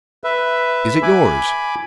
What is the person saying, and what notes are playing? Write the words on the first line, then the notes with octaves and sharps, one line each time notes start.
"Is it yours?"
B4 E5
G#5 B5 D6